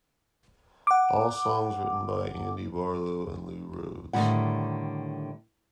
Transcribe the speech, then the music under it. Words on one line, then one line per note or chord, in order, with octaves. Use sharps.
All songs written by Andy Barlow and Lou Rhodes.
F#5 D6
A2 D3 D#3 G3 E4 F#5